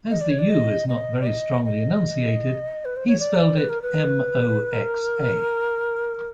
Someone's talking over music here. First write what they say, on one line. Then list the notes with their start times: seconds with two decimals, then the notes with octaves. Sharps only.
As the u is not very strongly enunciated, he spelled it "Moxa".
0.11 D#5
0.21 D5
0.30 C#5
0.39 D5
0.50 D#5
0.89 D#5
1.21 D5
1.26 D#5
1.65 D#5
2.85 B4
2.96 C5
3.08 C#5
3.19 D5
3.58 B4
3.69 A#4
3.82 B4
4.72 A#4